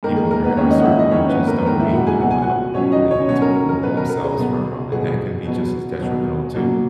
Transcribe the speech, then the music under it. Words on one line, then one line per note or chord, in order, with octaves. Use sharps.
people in their inner circle who just don't mean them well, who they need to remove themselves from, and that can be just as detrimental too.
G#2 D#3 A#3 A#4
G#4
A#4
B3 B4
G#2 D#3 A#3 C#4 C#5
D#4 D#5
F#5
E4 E5
D#4 D#5
G#2 D#3 A#3 C#4 C#5
B3 B4
A#4
B4
G#2 D#3 A#3 A#4
E4 E5
F#4 F#5
G#4 G#5
B2 F#3 B3 F#5
G#5
F#4 F#5
B2 F#3 B3 C#4 C#5
D#4 D#5
C#4 C#5
B2 F#3 B3 C#4 C#5
A#4
A#4
A#4
B2 F#3 B3 B4
A#4
A#4
G#4
B2 F#3 B3
B2 F#3 B3 G#4
B2 F#3 B3
B2 F#3 B3
B2 F#3 A#3